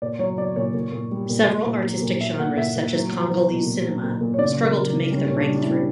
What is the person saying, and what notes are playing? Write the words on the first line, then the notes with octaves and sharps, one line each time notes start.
Several artistic genres such as Congolese cinema struggle to make their breakthrough.
A#2 D5
F#3 C#5
F#3 D5
A#2 C#5
A#2
A#2
G3
A#2
A#2
A#2
F#3
A#2
A#2 E5
A#2 F#5
A#2 E5
A#2
F#3
F#3
F#3
B2
A#2
F#3
A#2
A#2
C#5
C#3 D5
F#3
A#4
F#3
C#3
G3 C#4
A#2 C#4
D4
G3
D4
E4
G3